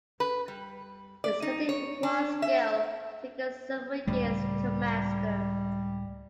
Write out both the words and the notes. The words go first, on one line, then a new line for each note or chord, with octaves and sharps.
Its cutting requires skill, taking several years to master.
B4
G3
D5
D#4
C#5
D4
E5
C#2 A2 G3 A3